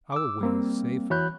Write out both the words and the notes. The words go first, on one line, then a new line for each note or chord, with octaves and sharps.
Our way is safer.
D6 E6
G3 A#3 C4
E3 F#4 C#5 B5 F#6 G6